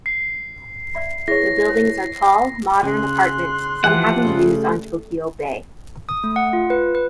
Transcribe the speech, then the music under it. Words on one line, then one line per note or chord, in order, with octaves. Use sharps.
The buildings are tall, modern apartments, some having views on Tokyo Bay.
C7
D5 E5 B5
E4 G#4 B4 C#5 A#6
B4 C5
C#3 G#5 C6 F#6
E3 F3 E4 G4 F#5 A5
C#3 G3 A3 A4
D#6
A3
F#5
F4
B4
B4